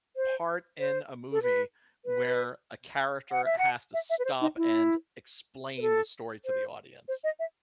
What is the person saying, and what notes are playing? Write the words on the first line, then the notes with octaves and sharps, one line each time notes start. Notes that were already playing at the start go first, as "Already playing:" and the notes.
part in a movie where a character has to stop and explain the story to the audience.
C5
C5
A4
B4
B4
F#5
E5
F#5
E5
E5
B4
C5
D#4
E4
B4
A4
C5
C5
D#5
E5